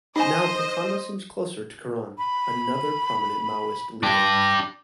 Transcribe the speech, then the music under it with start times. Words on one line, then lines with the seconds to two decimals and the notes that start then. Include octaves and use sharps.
Now Prachanda seems closer to Kiran, another prominent Maoist leader.
0.16 D#4 C5 D#5 G#5
2.18 B5
4.03 D4 G4 A#6